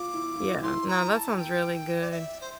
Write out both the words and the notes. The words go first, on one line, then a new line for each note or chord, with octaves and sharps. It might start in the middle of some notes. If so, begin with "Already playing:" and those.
Yeah, no, that sounds really good.
Already playing: F4 D6
E4
E4
E4 C6
A#5
A5
G5
D5
E5
C5